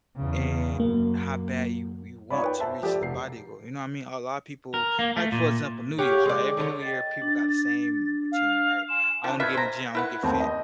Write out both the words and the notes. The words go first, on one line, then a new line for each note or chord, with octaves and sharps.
and how bad you you want to reach this body goal, you know what I mean? A lotta people, like, for example, New Year's, right? Every New Year, people got the same routine, right? "I wanna get in the gym, I wanna get fit."
E2 C#3
F#2 A#3
D#4 F4 C#5 D5 B5
B4 G5
C5 E5 A5
F3 G4 A4 D5
F1 C7
A#4
A#3
A3
A#2
G4 C#5 F5 F#5
G#3 D5
D3 A4 C5 C#5
D#5 G5 A6
D4
F5
G#5 C6 E7
F3 D4
F4 B4 E5 G#6 B6
C5 A#5
E4 B4 F#5
D#2 A3 C4
D#5